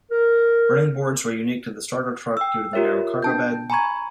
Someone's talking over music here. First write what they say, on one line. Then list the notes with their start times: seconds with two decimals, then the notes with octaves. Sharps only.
Running boards were unique to the starter truck due to the narrow cargo bed.
0.12 A#4
2.37 G5 E6
2.73 F4 G4 A#4 C#5 E5
3.22 D4 A5 G6
3.70 G#5 A#5 B5 C#6 G#6